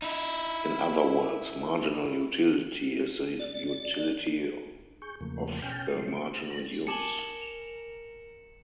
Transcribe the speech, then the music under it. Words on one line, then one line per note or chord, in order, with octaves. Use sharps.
In other words, marginal utility is the utility of the marginal use.
D#4 E4
D5
G#4 C#6 G6
E2 C#3 F3 A3 A#3
B2 C#4 G5 G#5 F6 G6
F#3 G3 A3 C4 C#4 E4
A#4 G#5 A5 D6 C#7 E7 F#7